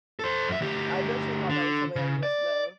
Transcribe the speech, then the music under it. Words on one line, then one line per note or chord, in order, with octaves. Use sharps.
I bet she thought that was hilarious though.
A4 C5
F#2 E5
D2 G4
D3
C#3
D5